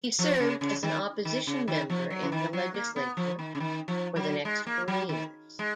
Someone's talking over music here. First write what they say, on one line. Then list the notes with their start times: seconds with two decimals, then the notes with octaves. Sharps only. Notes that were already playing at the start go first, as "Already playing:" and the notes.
He served as an opposition member in the legislature for the next four years.
0.19 F3
0.40 C#3
0.61 C#3
0.83 D#3
1.25 D#3
1.47 C#3
1.68 D#3
1.90 F3
2.10 F#3
2.23 C#3
2.32 D#3
2.53 F#3
2.74 A#3
2.96 B3
3.17 F3
3.39 D#3
3.55 C#3
3.60 D#3
3.88 F3
4.16 F#3
4.45 G#3
4.66 A#3
4.88 F#3
5.09 D#3
5.59 G#3